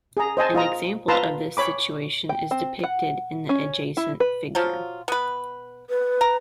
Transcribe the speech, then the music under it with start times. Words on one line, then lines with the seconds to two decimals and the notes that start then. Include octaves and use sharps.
An example of this situation is depicted in the adjacent figure.
0.17 G#4 A#5
0.37 C5 D#5 G#5 A5
0.55 F4 D#5 A#5
1.08 F4 B4 A5 A#5 C6
1.57 C#5 B5 D6
2.29 G5
2.51 C4
2.84 F#5
3.49 C#4
3.97 E4
4.20 B4
4.55 F3 F#3 F4
5.08 B3 B4
5.90 B4
6.21 A#5